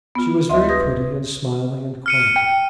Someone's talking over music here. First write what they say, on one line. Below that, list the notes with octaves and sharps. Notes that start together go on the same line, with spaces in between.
She was very pretty and smiling and quiet.
B3 F4
D2 D#5 E5 C6
B4 D#6 G6 G#6 A#6
F6 C#7 D#7
G5